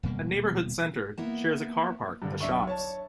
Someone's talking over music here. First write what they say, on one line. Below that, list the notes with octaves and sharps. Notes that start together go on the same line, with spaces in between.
A Neighbourhood Centre shares a car park with the shops.
D#1 B2 G3 A#3
A#3 B3 E4
G2 D3
B1 D4 E5 C#6
C#5 A5